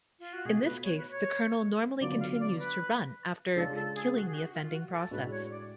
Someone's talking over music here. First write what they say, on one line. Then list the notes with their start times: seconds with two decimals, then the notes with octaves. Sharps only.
In this case, the kernel normally continues to run after killing the offending process.
0.20 F4
0.33 F#4
0.45 B2 A3 F4 G#4
0.65 B4
0.84 C#5
0.97 B4
1.11 C#5
2.00 D3 F#3 B3 F4 D5
2.19 F5
2.40 D5
2.58 B4
3.55 C#3 G#3 D4 F4 A4
3.75 A4
3.95 G#4
4.15 F#4
4.27 G#4
4.34 F#4
4.53 F4
4.72 F#4
4.92 A4
5.11 A2 G#3 D4 F#4 B4
5.30 C#5
5.50 D5